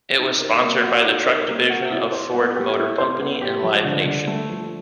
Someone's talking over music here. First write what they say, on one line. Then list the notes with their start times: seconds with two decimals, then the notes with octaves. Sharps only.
It was sponsored by the truck division of Ford Motor Company and Live Nation.
0.18 D#4
0.40 A#4
0.61 A#3
0.83 F#4
1.05 D#4
1.26 A#4
1.48 A#3
1.70 F#4
1.91 E4
2.12 C5
2.34 B3
2.55 G4
2.77 E4
2.98 C5
3.20 B3
3.42 G4
3.63 F3
3.84 D3
4.06 D3
4.27 A3
4.49 F3